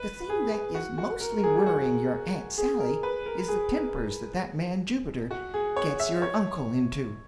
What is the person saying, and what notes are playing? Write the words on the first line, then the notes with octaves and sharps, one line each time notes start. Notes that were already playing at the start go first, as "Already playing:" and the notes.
"The thing that is mostly worrying your aunt Sally is the tempers that that man Jubiter gets your uncle into."
Already playing: B4
G#4
F#4
F#4
A#4
A#4
G#4
G#4
F#4
G#4
A#4
B4
A#4
G#4
F#4
G#4
C#5
E5
C#5